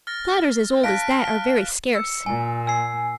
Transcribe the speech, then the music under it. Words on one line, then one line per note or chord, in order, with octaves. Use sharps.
Platters as old as that are very scarce.
F6 A6 A#6
F5 A5 F#6 A#6 B6 D7
F6
E6 C#7
A#2 G#5
G#5 E6 C7